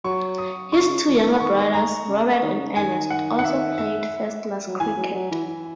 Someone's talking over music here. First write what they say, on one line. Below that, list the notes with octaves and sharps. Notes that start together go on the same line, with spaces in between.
His two younger brothers, Robert and Ernest, also played first-class cricket.
F#3 C#6
D#6
C#3 C#6
C#3
D#3
E3
D#3 C#6
A#5
C#3
D#3
C#3
D#3 G#5
F#5
F#5
E5
E5
F#3
E3 G#5
F#3
F#3
E3
E3